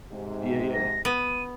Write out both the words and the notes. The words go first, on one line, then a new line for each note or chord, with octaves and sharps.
Yeah, yeah.
G#2 C3
A#6
B3 D#7